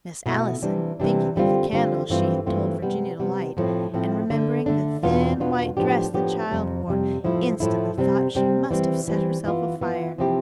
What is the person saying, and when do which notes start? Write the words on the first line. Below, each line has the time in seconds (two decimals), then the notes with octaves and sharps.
Miss Allison, thinking of the candle she had told Virginia to light, and remembering the thin, white dress the child wore, instantly thought she must have set herself afire.
0.26 B2 A3 E4
0.62 C3 E3 G3 D4
1.00 C3 E3 G3 D4
1.36 D3 G3 C4 F4
1.73 D3 G3 C4 F4
2.10 G2 E3 A3 C4 F4
2.46 G2 E3 A3 C4 F4
2.82 C3 G3 B3
3.20 C3 G3 B3
3.57 A2 F3 A3 C4
3.94 A2 F3 A3 C4
4.30 D3 A3 D4
4.66 D3 A3 D4
5.03 E2 B2 B3 D4 F4
5.40 E2 B2 B3 D4 F4
5.77 A2 F3 B3 D4 G4
6.14 A2 F3 B3 D4 G4
6.51 F2 C3 G3
6.87 F2 C3 G3
7.24 A2 F3 A3 E4
7.60 A2 F3 A3 E4
7.98 C3 G3 C4
8.35 C3 G3 C4
8.71 E3 G3 C4
9.08 E3 G3 C4
9.45 E3 B3 F4
9.81 E3 B3 F4
10.18 C3 F3 C4 E4 G4